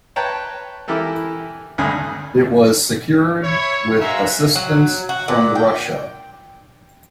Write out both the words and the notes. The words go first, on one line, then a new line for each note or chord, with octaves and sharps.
It was secured with assistance from Russia.
B4 C#5 G5 A5 A#5
E3 E4 G4 A4 A#4
G#1 D2 G2 D3 G#5 D#6
E4 C#5
G#3 F#4 A#4 E5 F5
F#3
F#4
A#2
G5